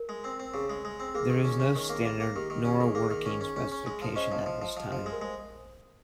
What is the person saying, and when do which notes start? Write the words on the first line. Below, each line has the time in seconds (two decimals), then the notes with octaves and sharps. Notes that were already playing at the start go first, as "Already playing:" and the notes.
There is no standard nor a working specification at this time.
Already playing: A#4
0.09 G#3
0.24 C4
0.40 C4
0.54 C#3 G#4
0.70 G#3
0.85 G#3
1.00 C4
1.15 A#3 G#4
1.30 D#3
1.44 C#4
1.60 C#4
1.76 D#3
1.89 A#3
2.05 A#3
2.20 A#3
2.36 D#3 G4
2.50 D#3 A#4
2.65 C#4 G4
2.80 D#3 G#4
2.95 A#3 G#4
3.11 D#3
3.26 C#4
3.41 C#4
3.56 C#4
3.72 C#4
3.86 G#3
4.02 F3
4.16 C#4 C5 D#5
4.32 F3
4.46 F3
4.62 F3
4.77 F3
4.87 F3 G4
5.00 G#4
5.06 G#3
5.12 A#4
5.21 G#3 C5